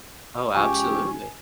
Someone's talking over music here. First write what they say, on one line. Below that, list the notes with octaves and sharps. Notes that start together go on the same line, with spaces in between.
Oh, absolutely.
C#2 F3 G4 G#5 C#6